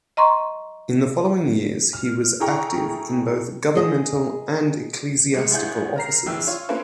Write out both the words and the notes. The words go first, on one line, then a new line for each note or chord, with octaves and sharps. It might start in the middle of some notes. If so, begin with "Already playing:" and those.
In the following years he was active in both governmental and ecclesiastical offices.
D#5 A#5 C6 C#6
F6
E4 G#4 A4 G5 A#5 C#6
G#4 D#5
C2 G#3 C#7
G#1 E4 G#4 F#5 G6
A#4 A#5 C7
A#1 E3 G5 E6
F4 C#5
A#3 C#4 F4 A4 B4 C5